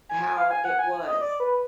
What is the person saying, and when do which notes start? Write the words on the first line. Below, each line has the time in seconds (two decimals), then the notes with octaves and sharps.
how it was.
0.09 G#5
0.23 G#5
0.37 F5
0.51 G#5
0.65 F#5
0.79 G#5
1.06 D#5
1.21 D5
1.40 B4